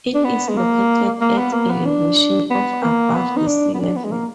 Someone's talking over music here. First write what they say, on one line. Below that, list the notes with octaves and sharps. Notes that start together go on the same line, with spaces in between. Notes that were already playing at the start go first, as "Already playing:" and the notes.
It is located at elevation of above the sea level.
D4
B3
G#3
A#3
A#3
B3
A#3
B3
D4
B3
A#3
B3
D#4
D4
B3
D4
B3
G#3
A#3